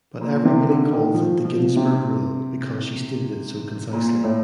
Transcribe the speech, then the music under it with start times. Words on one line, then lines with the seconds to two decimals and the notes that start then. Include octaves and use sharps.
But everybody calls it the Ginsburg rule because she stated it so concisely.
0.21 A#2
0.45 C3
0.68 D3
0.91 D#3
1.14 F3
1.45 F3
1.76 C3
3.93 A#2
4.24 A2